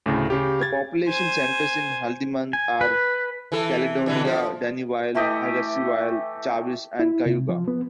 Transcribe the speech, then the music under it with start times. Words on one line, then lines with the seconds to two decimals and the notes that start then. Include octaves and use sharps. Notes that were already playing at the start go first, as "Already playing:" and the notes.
The population centres in Haldimand are Caledonia, Dunnville, Hagersville, Jarvis and Cayuga.
0.06 D2 A2 C#3
0.30 C#3 G4
0.61 G#6 A6
1.08 C5 G#5
2.53 G#5
2.81 B4
3.52 E3 A4
4.06 B2 D3 E3
4.25 F3
5.15 E3 A3 G4 D#5
6.99 E4
7.26 C3
7.49 F3
7.68 B3